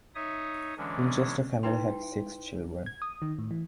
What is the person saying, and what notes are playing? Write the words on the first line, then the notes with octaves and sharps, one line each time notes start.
Winchester family had six children.
D#4 C#5 E5 D#6
D3 E3 F#3 G#3 C#4 D4
D#4 E4 B4 G5 C6
G#6
D#6
D#3
A2
E3